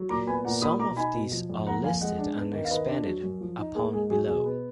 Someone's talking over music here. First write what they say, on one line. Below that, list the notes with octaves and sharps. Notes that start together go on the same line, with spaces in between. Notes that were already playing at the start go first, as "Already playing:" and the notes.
Some of these are listed and expanded upon below.
Already playing: F#3
A#2 A#5 D6
B3 G#5 B5
A#2 F#5 A#5
A#3 B5 D#6
B2 A#5 D6
D#4 G#5 B5
B2
F3
F2
A#3 F#5 A#5
F2 F5 G#5
G#3 D#5 F#5
D4
B3
D#3
F5
D#3 B4 D#5
D4
F#3
F#2
F3
D#4
A#3 G#4
G#2 G#4
F#3 G#4
B2 G#4
B3